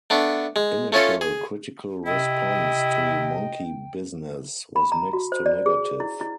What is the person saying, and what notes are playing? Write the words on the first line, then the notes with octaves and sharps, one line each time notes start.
Initial critical response to "Monkey Business" was mixed to negative.
A3 B3 D4
G#3
A3 C#4 F4 A4
G#4
C3 E4 D#5 G5
B5
A#5
F#4
C5
D5
G#4
E4
E4